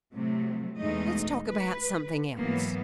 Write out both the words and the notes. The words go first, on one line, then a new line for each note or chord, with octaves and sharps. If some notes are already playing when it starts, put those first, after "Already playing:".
Let's talk about something else.'
A2 C3 F#3 A3
E2 B2 G#3 A3 D#4 D#5
B4
G#2 E3 F#3 A#3 B3